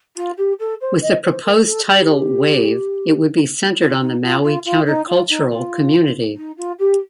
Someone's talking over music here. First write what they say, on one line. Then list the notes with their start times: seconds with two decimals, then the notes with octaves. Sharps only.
With the proposed title "Wave", it would be centered on the Maui countercultural community.
0.17 F4
0.38 G4
0.60 A4
0.81 C5
1.02 D#5
1.24 C5
1.44 A#4
1.66 A4
1.88 G4
3.79 F4
4.01 D#4
4.22 F4
4.44 F4
4.65 F4
4.87 D#4
5.08 F4
5.30 D#4
5.51 F4
6.37 D#4
6.57 F4
6.79 G4